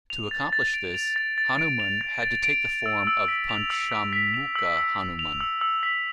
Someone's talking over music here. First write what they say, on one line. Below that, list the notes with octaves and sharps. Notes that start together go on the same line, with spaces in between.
To accomplish this Hanuman had to take the form of Panchamukha Hanuman.
F7
A6
A6
D7
F7
A6
A6
D7
F7
A6
A6
D7
F7
E6
E6
B6
F7
E6
E6
B6
F7
E6
E6
B6
F7
E6
E6
B6